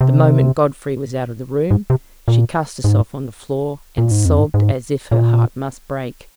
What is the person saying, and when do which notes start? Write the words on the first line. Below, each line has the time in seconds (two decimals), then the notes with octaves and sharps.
The moment Godfrey was out of the room she cast herself on the floor, and sobbed as if her heart must break.
0.01 C3
1.71 G#2
1.90 C3
2.28 A#2
2.84 G#2
3.98 A#2
4.11 G#2
4.25 F2
4.39 G#2
4.54 G#2
5.11 A#2